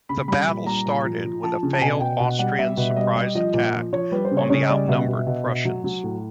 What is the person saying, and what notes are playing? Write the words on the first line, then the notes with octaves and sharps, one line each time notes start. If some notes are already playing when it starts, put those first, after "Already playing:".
The battle started with a failed Austrian surprise attack on the outnumbered Prussians.
C#3 B5
G3 B5
A#2
G3 A#5
A#2
F3
F3
F3 A5
C#3
A5
B2 G#5
B2 G5
B2 F#5
G3 F#5
G3 E5
B2
G3 D#5
G3 D#5
F3 D#5
A#2
F3
F3 C#5
G3 B4
C5
C#3
C#5
C#3 C#5
D#5
G3 D5
B2 E5
B2
B2
B2
F#3
F#3
A2